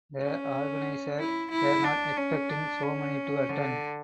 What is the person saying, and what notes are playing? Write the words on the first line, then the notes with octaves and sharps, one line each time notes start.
The organisers were not expecting so many to attend.
C#4
E4
E4
D4
C#4
D4
C#4
D3